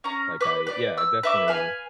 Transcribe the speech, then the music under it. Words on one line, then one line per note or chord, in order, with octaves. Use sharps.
like, I Yeah, I definitely,
C#4 A#5
B4 D6
B4 D5
E6
B4 E5 D6
B4 F5 G#5